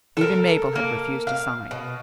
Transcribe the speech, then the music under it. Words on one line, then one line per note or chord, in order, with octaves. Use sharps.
Even Mabel had refused to sign.
A4 A#4
A#3
F5
B2